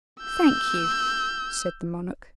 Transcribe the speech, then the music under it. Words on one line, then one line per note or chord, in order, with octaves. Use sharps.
"Thank you," said the monarch.
E6 G6